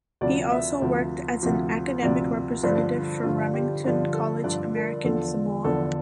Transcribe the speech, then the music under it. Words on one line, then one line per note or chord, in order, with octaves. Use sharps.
He also worked as an academic representative for Remington College American Samoa.
D2 C3 F3 D5
E5
D2 C3 F3
D2 C3 F3
D2 C3 F3 D5
G2 D3 F3 C5
G2 D3 F3 F4
G4
G2 D3 F3 G4
A4
G2 D3 F3 D5
A#4
E2 D3 F3 A4
E2 D3 F3 A4